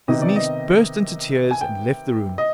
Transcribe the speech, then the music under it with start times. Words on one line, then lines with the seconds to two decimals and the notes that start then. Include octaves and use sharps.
His niece burst into tears and left the room.
0.08 C3 D#3 B3 D#4 D#5
0.22 D5
0.36 D#5
1.51 G#5
1.61 G5
2.38 D#5